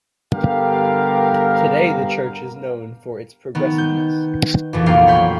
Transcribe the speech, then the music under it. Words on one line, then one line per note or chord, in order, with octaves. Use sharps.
Today the church is known for its progressiveness.
G2 D3 B3 G4 A#4 F5
D#3 B3
G6
A#1 F2 A#2 E3
F1 F#3 A#3 F5 G5 C7
C#5 B5 C6 G6